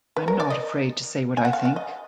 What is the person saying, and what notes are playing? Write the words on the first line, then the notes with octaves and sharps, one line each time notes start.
I'm not afraid to say what I think.
B4
A#4
D5
D#5
G#5
F#5
F5
F#5
D#5